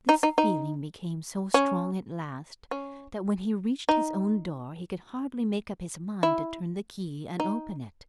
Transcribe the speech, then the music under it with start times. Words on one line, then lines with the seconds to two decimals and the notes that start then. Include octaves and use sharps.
This feeling became so strong at last, that when he reached his own door, he could hardly make up his mind to turn the key and open it.
0.09 D#4
0.23 D#4
0.38 D#4
1.54 C#4
2.71 C#4
3.89 D#4
6.23 E4
7.40 D#4